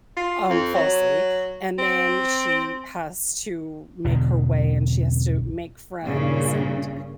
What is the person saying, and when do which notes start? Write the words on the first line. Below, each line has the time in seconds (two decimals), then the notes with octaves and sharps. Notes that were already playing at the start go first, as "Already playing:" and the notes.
um, falsely and then she has to make her way and she has to make friends and,
0.17 F4
0.49 F2
0.75 F#3
1.78 C4
4.05 B1 E2 B2 D3
6.02 G2 A#2 C#3